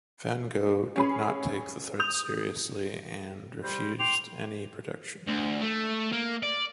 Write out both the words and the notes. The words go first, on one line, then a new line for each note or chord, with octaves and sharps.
Van Gogh did not take the threats seriously and refused any protection.
C#4 G#4 B5
D#6 G6 F7
G3 C5
G5 C6 D6 F7
D2
A3
A#3
D5